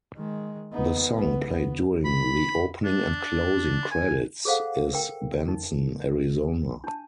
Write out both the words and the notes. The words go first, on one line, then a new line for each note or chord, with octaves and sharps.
The song played during the opening and closing credits is Benson, Arizona.
D#3 G#3
B3 D#4
B1 B3
B3
B5
D4
G#5
G#4 A4 C5 F5 F#5
A#4 G5
D#4
D4 A5